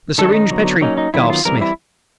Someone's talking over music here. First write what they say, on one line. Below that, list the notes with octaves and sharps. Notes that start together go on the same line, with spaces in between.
"The syringe, Petrie!" gasped Smith.
D#3 G#3 C#4 A4
D4
D#4
D3 F#3 B3
F#3 A#3 C#4 D#4
D#4
D#3 F#3 B3 E4
F4
E3 G3 C4 A#4
E4